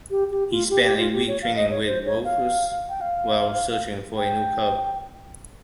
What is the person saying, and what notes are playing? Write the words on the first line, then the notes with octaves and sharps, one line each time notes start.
He spent a week training with Wolves while searching for a new club.
G4
G4
F4
G4
G4
F4
G4
C#5
F5
D#5
C#5
C5
C#5
F5
G5
F5
G5